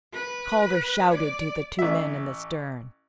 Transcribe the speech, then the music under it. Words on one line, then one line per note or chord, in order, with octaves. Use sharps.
Calder shouted to the two men in the stern.
B4
D5
A1 E5